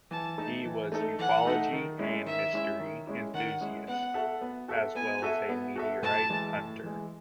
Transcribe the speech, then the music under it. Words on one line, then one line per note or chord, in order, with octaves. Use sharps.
He was ufology and mystery enthusiast, as well as meteorite hunter.
E3 A5
A3 D#4 A4
E3
A3 D#4 A4
E3 F#5
A3 D#4 A4
D#3
G#3 C#4 E4
D#3 E5
G#3 C#4 E4
D#3
G#3 C#4 E4
D#3 F#5
G#3 C#4 E4
B3 F#5
F#4 A4 E5
B3
F#4 A4 E5
B3 G#5
F#4 A4 E5
B3
F#4 A4 E5
A2 A5
E3 G#3
A2
E3 G#3